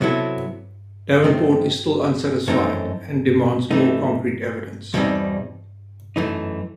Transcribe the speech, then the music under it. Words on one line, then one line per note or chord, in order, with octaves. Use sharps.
Davenport is still unsatisfied and demands more concrete evidence.
C3 F#3 B3 E4 A4
D#3 A3 C4
F#2 E3 A3 C4 D#4
E3 A3 D#4
E2 B2 G3 C4 D#4
F#2 E3 A3 D#4